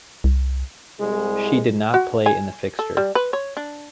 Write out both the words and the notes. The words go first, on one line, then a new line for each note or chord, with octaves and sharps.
She did not play in the fixture.
C2
C2 G#3
F#4
G#5
A4
G3
B4
C#5
D4